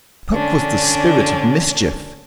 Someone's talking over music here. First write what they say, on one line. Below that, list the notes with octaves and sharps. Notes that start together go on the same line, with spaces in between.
Puck was the spirit of mischief.
D3 C#4 D4